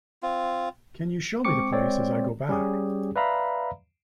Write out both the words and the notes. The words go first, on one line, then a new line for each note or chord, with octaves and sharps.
Can you show me the place as I go back?
C4 F4
G#3 C4 C#6 D6 C#7
G#3 C4 C#5 D5
G3 C#4 G4 G#4
B4 D5 E5 F5 A#5 B5